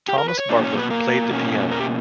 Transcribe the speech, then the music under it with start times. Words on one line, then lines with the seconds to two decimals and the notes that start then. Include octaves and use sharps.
Thomas Bartlett played the piano.
0.08 G4
0.18 A#4
0.28 B4
0.39 C#5
0.49 B2 F#3 A#3 D4 D5
0.63 C#4 C#5
0.77 B3 B4
0.90 A#3 A#4
1.31 B2 A#3 C#4
1.71 A#4
1.80 G4